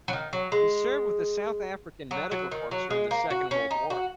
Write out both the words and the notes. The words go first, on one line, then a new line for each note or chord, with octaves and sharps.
He served with the South African Medical Corps during the second world war.
F#3
D#3
F#3
G#3
F#3
F#3
D#3
F#3
G#3
A#3
F#4
C#4
D#4
F#4